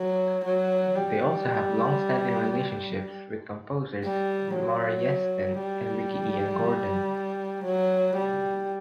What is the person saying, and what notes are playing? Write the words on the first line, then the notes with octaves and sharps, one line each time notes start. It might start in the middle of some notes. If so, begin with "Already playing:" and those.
They also have long-standing relationships with composers Maury Yeston and Ricky Ian Gordon.
Already playing: F#3
F#3
G3
G3
F#3
G3
F#3
G3